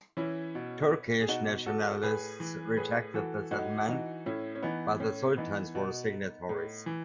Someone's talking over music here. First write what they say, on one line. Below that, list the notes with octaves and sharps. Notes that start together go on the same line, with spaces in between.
Turkish nationalists rejected the settlement by the Sultan's four signatories.
E3 C#4 E4
B2
G#4
B2 D#4 F#4
F#4 A4
A2 G#4 B4
E3
A2 G#4 B4
E3 F#4 A4
A2 D#4 F#4
E3 D#4 F#4
A2 C#4 E4
C#4
E3 B3 D#4
A2 C#4
E3 B3 D#4
B2
A2
E3